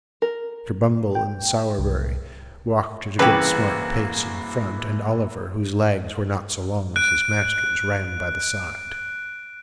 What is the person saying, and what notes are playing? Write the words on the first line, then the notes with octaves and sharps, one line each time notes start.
Mr. Bumble and Sowerberry walked at a good smart pace in front; and Oliver, whose legs were not so long as his master's, ran by the side.
A#4
G5
C2
C2 C#3 E3 A#3 E4 F#4 G4 B4
F#6 D7